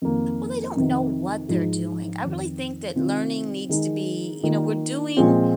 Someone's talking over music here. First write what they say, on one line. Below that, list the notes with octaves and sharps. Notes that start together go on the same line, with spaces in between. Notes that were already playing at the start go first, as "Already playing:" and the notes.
Well they don't know what they're doing. I really think that learning needs to be you know, we're doing
F2 D#3 A#3
F2 C3 D#3
G#2 F3 G#3 D#4
F2 D#3 C4
C3 D#3 C4 F4
D#3 G#3 D#4
D#3 A#3 F4
A#2 F3 G#3 C4 F4